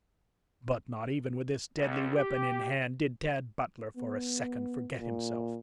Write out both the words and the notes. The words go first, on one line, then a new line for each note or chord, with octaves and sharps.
But not even with this deadly weapon in hand did Tad Butler for a second forget himself.
C#2
G4
B3
A#2